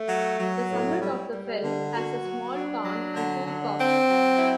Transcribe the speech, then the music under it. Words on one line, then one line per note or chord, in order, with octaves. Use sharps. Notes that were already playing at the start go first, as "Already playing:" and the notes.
The summit of the fell has a small tarn and two tops.
Already playing: A3
F#3
F#3
A2
G3
G3
D3
F#4
F#3
D4
F#3
D3
D3
C4
F#3
E4